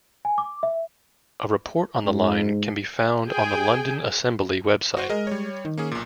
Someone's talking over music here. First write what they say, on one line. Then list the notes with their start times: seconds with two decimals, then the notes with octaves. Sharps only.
A report on the line can be found on the London Assembly website.
0.25 G#5
0.38 D6
0.63 E5
2.06 G#2
3.28 G#4 G5 G#5
4.97 F#4 C5
5.10 G#3 A#4 D#5
5.27 G3 C#5
5.65 D#3
5.78 A#3 C#4 G#4
5.91 B1 A#2